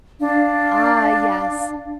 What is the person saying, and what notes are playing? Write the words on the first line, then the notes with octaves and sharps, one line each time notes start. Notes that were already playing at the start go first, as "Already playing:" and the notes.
Ah, yes.
D4 F5